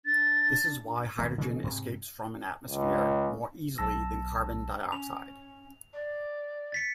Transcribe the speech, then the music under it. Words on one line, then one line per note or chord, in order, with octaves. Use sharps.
This is why hydrogen escapes from an atmosphere more easily than carbon dioxide.
D4 A6
G#1 D2 A#3
C#3 E3 A3
G#2 C3
C#2
B1 A5 E6 A#6
C#4 F7
D5
A6 B6 C#7